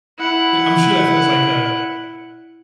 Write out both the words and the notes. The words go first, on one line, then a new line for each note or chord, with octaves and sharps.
Yeah, I'm sure that feels like, uh
E4 F#5